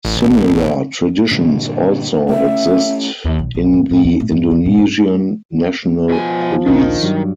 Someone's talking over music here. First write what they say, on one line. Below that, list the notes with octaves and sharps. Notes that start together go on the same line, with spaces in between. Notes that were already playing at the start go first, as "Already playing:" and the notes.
Similar traditions also exist in the Indonesian National Police.
A1
G2 A#2 D3
A3 C#4 E5
D#2
B1
B1
G#2
A2
D#2
A2
G2
E2
A#2
G2
B2 F3 G#5
A#1 D#2 D#3 D4
G2 F#3